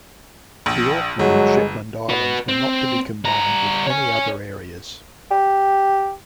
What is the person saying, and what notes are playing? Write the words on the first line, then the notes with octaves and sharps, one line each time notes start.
The Orkney and Shetland Islands were not to be combined with any other areas.
A#1
G1 F#3 G#3
F#4 B4
C4
G3 A#5
C#5 G#5
G4